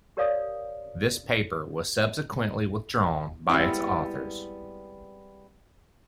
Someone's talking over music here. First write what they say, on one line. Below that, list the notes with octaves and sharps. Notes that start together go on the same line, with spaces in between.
This paper was subsequently withdrawn by its authors.
G4 A#4 C#5 D5 F5 D#6
G3 G#3 B3 C4 E4